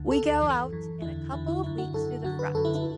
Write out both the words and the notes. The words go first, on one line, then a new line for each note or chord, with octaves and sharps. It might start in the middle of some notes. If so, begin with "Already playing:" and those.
We go out in a couple of weeks to the front.
Already playing: D2 D3
D2 D3 A4
A4
F#2 E3
F#2 E3
E2 D3 E4
E2 D3 E4
E4
F#2 D3 E4
F#4
F#2 D3 A4
F#2 D3 F#4
B4
F#2 D3 A4
E4
E4